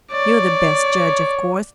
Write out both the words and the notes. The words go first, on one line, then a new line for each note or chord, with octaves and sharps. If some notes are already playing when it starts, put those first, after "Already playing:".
You're the best judge of course.
C#5 D5